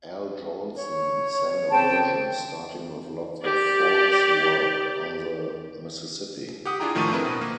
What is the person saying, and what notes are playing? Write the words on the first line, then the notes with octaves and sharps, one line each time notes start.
Al Jolson sang a version starting with lots of folks work on the Mississippi.
C#5
C#3 C4 C5 G5 A5
G4 D5
G4 F#5 D#6
D4 E4 F4 G#4 G5 A#5
A2 D#3 F3 A3 C#6 D#7
C4 D4 E4 A#4 B4
B2
A#3